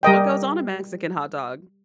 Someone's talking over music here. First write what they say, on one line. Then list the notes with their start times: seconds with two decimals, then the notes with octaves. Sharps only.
What goes on a Mexican hot dog?
0.03 G3 A#4 D#5 G5